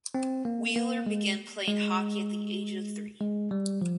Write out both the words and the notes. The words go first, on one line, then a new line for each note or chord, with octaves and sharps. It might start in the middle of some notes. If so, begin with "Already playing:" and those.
Wheeler began playing hockey at the age of three.
C4
A#3
A#3
G#3
G#3
G#3
G3
F3